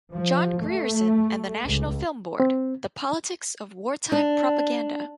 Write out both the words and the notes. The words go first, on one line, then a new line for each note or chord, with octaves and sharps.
John Grierson and the National Film Board: The Politics of Wartime Propaganda.
F3
A3
C#2
C4
D4